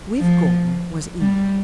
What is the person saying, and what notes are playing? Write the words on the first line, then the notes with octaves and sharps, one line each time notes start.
With Gordon was Enid.
F3
G3